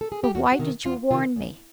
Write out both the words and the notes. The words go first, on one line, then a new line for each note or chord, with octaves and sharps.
But why did you warn me?
A4
G#4
G4
E2 F#4
F#4
C3 D#3
E2 F4
C3 D#3 F4
E2